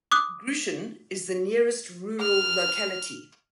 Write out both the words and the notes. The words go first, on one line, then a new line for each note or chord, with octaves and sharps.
Grushin is the nearest rural locality.
D6 D#6 F#6
F6